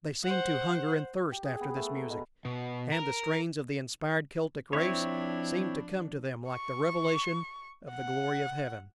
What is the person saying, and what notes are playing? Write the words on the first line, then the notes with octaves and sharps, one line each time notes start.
They seemed to hunger and thirst after this music, and the strains of the inspired Celtic race seemed to come to them like the revelation of the glory of heaven.
C5 F#5
G4
G#4
B3
A3
A#5
B2
B2
A#4
F3 C4 D4 E4 C#5
C#6
F#5